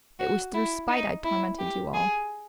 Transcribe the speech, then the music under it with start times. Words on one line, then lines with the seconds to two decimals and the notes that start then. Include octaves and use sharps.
It was through spite I tormented you all.
0.19 F#4
0.54 E4
0.89 D#4
1.24 E4
1.59 G4
1.94 G#4